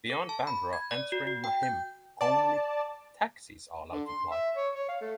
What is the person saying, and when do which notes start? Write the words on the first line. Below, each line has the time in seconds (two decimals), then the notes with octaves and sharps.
Beyond Bandra, entering Mahim, only taxis are allowed to ply.
0.10 A4
0.29 A5
0.47 B5
0.73 G#6
0.91 D5
1.12 F#4
1.27 F#4
1.44 G5
1.63 G6
2.21 D5 A5
3.92 D3
4.07 C6
4.31 E5
4.56 C#5
4.75 C#5
4.88 F5
5.01 A3